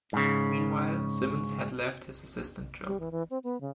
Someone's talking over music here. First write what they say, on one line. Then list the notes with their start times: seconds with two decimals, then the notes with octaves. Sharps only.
Meanwhile, Simmonds had left his assistant job.
0.13 G#2 C#3
2.86 G3
3.00 E3
3.12 E3
3.30 C4
3.44 B3
3.61 C#3